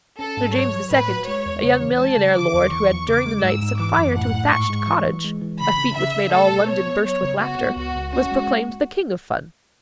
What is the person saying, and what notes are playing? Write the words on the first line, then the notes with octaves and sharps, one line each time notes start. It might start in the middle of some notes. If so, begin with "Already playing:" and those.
Under James II. a young millionaire lord who had during the night set fire to a thatched cottage--a feat which made all London burst with laughter--was proclaimed the King of Fun.
C#4 A4
G#2
F#3 C#5
F#3
A2 B4
F#4
G#3 C#5
E2
C#3 C#5
E3
G#3 A5
C#3
D3 D6
E2
E3 C#6
E2
C#3 D6
G#3
G#2 E6
G#2
E3 D6
F#2
A2 F#5
A2
G#2 C#6
G#3
E3
E3
G#3
E3
C#3 B5
C#3
C#3 E5
C#3
A3 A4
B2
B3 C#5
B3
F#3 C#5
C#3
B3 F#4
B3
C#2 F#4
C#2
C#4 F#4
G#3